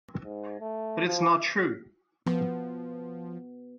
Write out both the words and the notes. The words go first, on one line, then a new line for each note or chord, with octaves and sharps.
But it's not true.
G#2
A3
F3
F3 B3